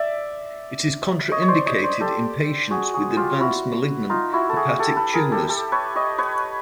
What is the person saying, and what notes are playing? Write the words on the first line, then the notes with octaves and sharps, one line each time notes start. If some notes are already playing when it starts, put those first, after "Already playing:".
It is contraindicated in patients with advanced malignant hepatic tumors.
Already playing: D5 E5
C#5 D#5
C#5
C5 D5
C#5 D#5
C5 D5
G4 A4
F#4 G#4
F#4 G#4
F4 G4
E4 F#4
D#4 F4
E4 F#4
A4
F#4 G#4
G4 A4
A4 B4
G#4 A#4
G4 A4
G4 A4
B4 C#5
C#5 D#5
B4 C#5